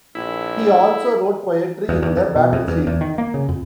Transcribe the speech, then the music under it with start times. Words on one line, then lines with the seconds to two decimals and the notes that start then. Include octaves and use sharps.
He also wrote poetry in the battlefield.
0.15 A#1 E4
1.89 E2
2.02 E2
2.17 F2
2.36 B2
2.53 F2
2.68 E2
2.87 E2
3.01 D#3
3.18 A#3
3.34 C#3
3.49 F2